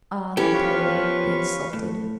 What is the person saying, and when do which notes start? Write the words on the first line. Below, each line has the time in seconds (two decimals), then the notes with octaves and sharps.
Ah, the poor, the insulted!...
0.37 E3 B3 C#4 G4 A4 G5
0.54 F3 B4 F5 C#6
1.73 A2